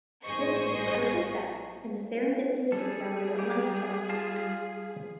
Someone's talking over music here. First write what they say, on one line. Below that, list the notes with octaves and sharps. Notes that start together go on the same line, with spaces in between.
This was the crucial step in the serendipitous discovery of lysosomes.
A1 G#2 G#4 C5 D#5 C#6
G3 G#4 A4
G4
F4 F5 A5